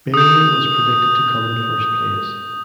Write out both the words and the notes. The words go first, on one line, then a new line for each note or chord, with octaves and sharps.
Baylor was predicted to come in first place.
D#6 G6